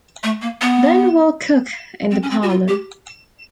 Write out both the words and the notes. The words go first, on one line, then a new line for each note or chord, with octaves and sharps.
Then we'll cook in the parlor.
A3
A#3
B3
C4
C#4
C4
F#4
F4
G4